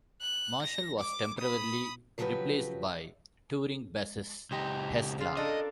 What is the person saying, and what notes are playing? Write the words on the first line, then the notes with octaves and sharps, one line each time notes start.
Marshall was temporarily replaced by touring bassist Hestla.
F#6
A#6
D6
B5 D#6
C#3 F3 F#3 F#4 G4 B4
C#2 C4 D#4 G4 D#5
C#3 F4
D4 A4 A#4 D#5